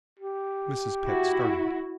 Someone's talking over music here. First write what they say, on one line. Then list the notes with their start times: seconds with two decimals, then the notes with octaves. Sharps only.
Mrs. Pett started.
0.19 G4
1.06 E4 F#4